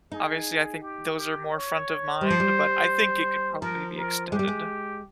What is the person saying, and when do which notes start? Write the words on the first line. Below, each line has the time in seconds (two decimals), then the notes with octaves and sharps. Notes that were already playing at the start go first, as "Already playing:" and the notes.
obviously I think those are more front of mind, but I think it could probably be extended,
0.12 D#4 G#4
0.81 G4
1.16 G4
1.52 C#5
2.21 G3 C5
2.30 F3
2.40 G3
3.61 F3 A#4
3.96 A#4
4.31 G#3 G4
4.39 G3
4.48 G#3